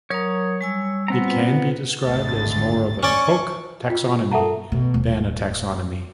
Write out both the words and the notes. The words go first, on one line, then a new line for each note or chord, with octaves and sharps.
It can be described as more of a folk taxonomy than a taxonomy.
F#3 A#4 C#5 A#5 D#6
G3 G#5 E6
B3 C4 A#5
F4 B4
G#1 D2 A6
C#4 D5 C#6
F4 G5
A4 A#4 E5 F#5 A5 A#5
B2
D#1